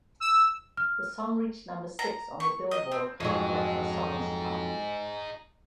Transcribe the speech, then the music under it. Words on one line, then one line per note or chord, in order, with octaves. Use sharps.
The song reached number six on the "Billboard" Hot Latin Songs chart.
E6
F6
A#5
C#6
D#5
C4
F2 G#2 F#3 D#4 G#4